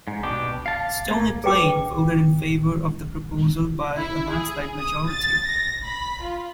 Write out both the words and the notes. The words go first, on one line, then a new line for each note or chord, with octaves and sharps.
Stony Plain voted in favour of the proposal by a landslide majority.
G#2
B2 D4 G4
F5 A5
A#3
G#4 B4 G5 D6
E4
G#4
D#6
A6
A#6
B5
F4